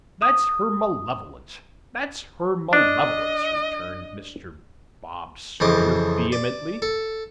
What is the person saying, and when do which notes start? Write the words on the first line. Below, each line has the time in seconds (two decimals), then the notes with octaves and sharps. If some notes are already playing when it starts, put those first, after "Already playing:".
'That's her malevolence--that's her malevolence,' returned Mr. Bob Sawyer vehemently.
0.22 D#6
2.73 D4 D#5
5.60 F2 C#3 E3 F3 D#5 D6
6.32 D5
6.82 A4